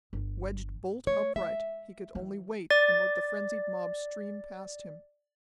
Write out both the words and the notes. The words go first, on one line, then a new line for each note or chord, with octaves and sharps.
Wedged bolt upright, he could only wait and let the frenzied mob stream past him.
G1
A3 C#5
G#3 E5
D#3 E3
D5 A6